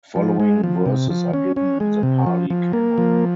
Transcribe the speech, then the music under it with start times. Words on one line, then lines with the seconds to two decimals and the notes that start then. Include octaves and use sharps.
Following verses are given in the Pali Canon.
0.16 F3
0.40 G#3
0.64 F3
0.86 C3
1.10 F3
1.34 C#4
1.56 C#4
1.80 G#3
2.03 C3
2.26 F3
2.50 F3
2.73 A#3
2.98 F3